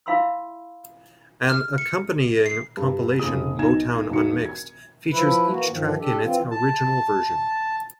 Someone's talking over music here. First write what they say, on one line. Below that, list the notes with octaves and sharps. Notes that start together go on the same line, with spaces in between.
An accompanying compilation, "Motown Unmixed", features each track in its original version.
E4 E5 F5 B5 C6 E6
F6
C#7
C7
G2
F1 A#2 C#3 D#6
B1 D#4 G#6 E7
E1 D#4 F#4 C#7
G#6
F3 E4 B4
E3 A#3 F#4
G2 D#3 F3
D4 G4 A4
E3 C4 F4
A5